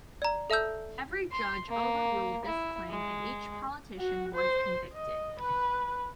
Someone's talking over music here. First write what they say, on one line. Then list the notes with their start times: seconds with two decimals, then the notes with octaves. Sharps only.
Every judge overruled this claim and each politician was convicted.
0.22 D5 A#5
0.50 A4 E5 A5 E6 G6
1.32 C6
1.69 A#3
2.45 E4
2.90 G#3
3.99 F#4
4.35 C5
4.93 D#5
5.40 B4